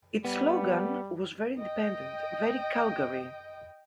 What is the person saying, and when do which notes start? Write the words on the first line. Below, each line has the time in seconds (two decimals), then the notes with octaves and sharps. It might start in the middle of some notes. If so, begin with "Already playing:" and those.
Its slogan was Very independent, very Calgary!
0.25 G3 B3
1.60 D#5 G5